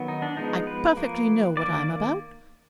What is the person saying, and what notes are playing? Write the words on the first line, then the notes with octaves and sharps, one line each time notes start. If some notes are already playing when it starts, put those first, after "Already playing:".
I perfectly know what I'm about.
Already playing: D#3 F#3 B3
D#4
D4
F3 G#3 B3 D#4
B4
F3 A#3
D#3 A#3 D5